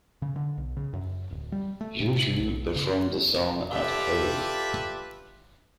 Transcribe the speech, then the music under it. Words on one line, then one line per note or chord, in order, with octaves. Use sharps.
Juju performed the song at Hey!
C#3
D3
B1
C#3
F#2
D1
G3
A3
A2
C3
B1
C#3
F4 G4 A4 B4 D5 E5